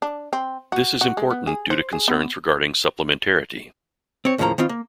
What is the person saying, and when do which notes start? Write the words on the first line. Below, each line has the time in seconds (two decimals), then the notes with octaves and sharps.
This is important due to concerns regarding supplementarity.
0.02 D4
0.33 C4
0.72 F#4
1.01 F#4
1.17 G#3
1.30 B3
1.47 G#4
1.70 C5
1.93 G#4
2.08 B3
4.25 C4 C#5
4.38 D#2 A2 C#3 F3 A#3 A#5
4.58 D#3 B3 C4 F4
4.69 A#3